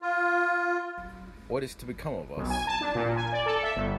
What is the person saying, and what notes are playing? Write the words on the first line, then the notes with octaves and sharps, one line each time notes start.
What is to become of us?
F4
B1
G#5
A5
D4
A#2
G#5
D5
A4
E5
G1